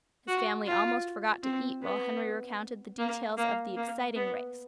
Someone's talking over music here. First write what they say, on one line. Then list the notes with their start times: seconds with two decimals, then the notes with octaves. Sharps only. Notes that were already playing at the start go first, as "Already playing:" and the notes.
His family almost forgot to eat while Henry recounted the details of the exciting race.
0.28 F#4
0.66 F4
1.43 C4
1.83 B3
2.98 A#3
3.38 A#3
3.76 A#3
4.16 B3